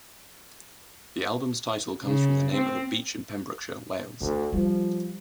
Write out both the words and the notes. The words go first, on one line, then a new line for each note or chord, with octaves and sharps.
The album's title comes from the name of a beach in Pembrokeshire, Wales.
C#3
C4
D2 D3
F3 G3